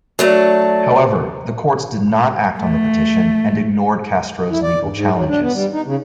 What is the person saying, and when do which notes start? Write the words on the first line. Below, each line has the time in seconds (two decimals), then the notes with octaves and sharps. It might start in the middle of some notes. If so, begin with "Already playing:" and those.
However, the courts did not act on the petition and ignored Castro's legal challenges.
0.19 F#3 A3 D4
2.61 A3
4.49 E4
4.63 D5
4.81 G2
4.93 G#2
5.15 F#3
5.29 D4
5.41 B3
5.53 G3
5.72 D#4
5.86 C#3